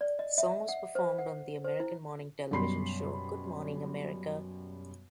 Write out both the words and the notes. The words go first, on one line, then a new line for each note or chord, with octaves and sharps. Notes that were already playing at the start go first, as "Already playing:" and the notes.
The song was performed on the American morning television show "Good Morning America".
D5
D#5
E5
F#5
C5
F#5
C5
E4
F#2 B2 G3 B5 C6 C7